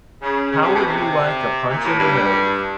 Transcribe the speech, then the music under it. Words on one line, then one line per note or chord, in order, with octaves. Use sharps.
How would you like a punch in the nose?
C#3
C#3
C3
B2
C3
A#2
A2
G2